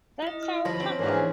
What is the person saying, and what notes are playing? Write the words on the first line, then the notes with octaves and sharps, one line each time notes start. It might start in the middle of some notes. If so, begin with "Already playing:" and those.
That's our tucker!!!
E4 D#5
F6
F3 C#5 B5 C6 A#6
C4 C#4
G#2 E3 A#3 C#4 D4 G#4